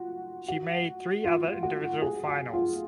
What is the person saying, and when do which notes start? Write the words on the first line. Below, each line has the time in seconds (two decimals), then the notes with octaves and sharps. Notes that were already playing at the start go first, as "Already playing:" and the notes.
She made three other individual finals.
Already playing: F4 F#4
0.48 F#4
1.25 F4
1.63 F#4
2.02 G#4
2.28 F#4
2.53 F4